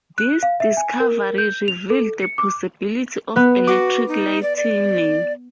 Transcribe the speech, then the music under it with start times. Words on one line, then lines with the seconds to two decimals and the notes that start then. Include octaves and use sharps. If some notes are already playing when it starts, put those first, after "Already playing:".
This discovery revealed the possibility of electric lighting.
0.18 F#6
0.43 F5
0.60 E5
0.77 G#5
1.00 A#4
1.38 G6
1.68 F7
1.90 A4
2.22 C#7
2.38 D6
3.36 B3 B4
3.67 F#4 D6
4.08 D#4
4.43 D5
4.56 D5